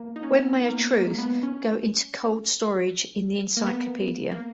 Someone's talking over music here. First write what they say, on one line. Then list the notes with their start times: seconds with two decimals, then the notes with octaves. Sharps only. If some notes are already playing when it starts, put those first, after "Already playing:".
When may a truth go into cold-storage in the encyclopedia?
Already playing: A#3
0.16 D#4
0.23 C#4
0.32 B3
0.62 B3
0.68 A#3
0.93 A#3
1.03 G#3
1.11 A#3
1.18 B3
1.43 C#4
3.57 A#3
3.66 B3
4.31 A#3